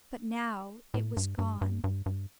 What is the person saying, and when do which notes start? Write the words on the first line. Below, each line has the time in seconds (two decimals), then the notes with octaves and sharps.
But now it was gone.
0.94 A2
1.17 G2
1.39 G2
1.61 G2
1.84 G2
2.06 G2